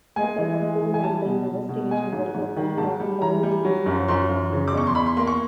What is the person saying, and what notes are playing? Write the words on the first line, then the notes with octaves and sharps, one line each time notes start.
A set of core medical investigations were performed on all three Skylab manned missions.
G#3 G#5
E3
G#3
E3
G#5
G3 A5
B2
B2
B2
G#3 G#5
G#2
G#2
D#3
G#2 A5
G3
E3 A#5
G3
F#3
F#2
F#2 C6
F#2
C#3
D6
E2 C#6
C6
E2 B5
C6
A#3 C6
C#6